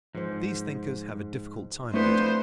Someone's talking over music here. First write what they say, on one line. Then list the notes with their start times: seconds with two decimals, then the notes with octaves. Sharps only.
These thinkers have a difficult time of it.
0.15 G#2 F3 C5
1.94 F2 A3 B3 D4 E4 B4 C5